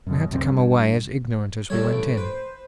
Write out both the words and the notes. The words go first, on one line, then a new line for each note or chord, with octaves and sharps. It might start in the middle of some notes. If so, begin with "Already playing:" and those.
We had to come away as ignorant as we went in.
F#2 B2
C#2 F#2 C3 C4
G2
G3 A3 A4 C#5
A1 D7
B4 C5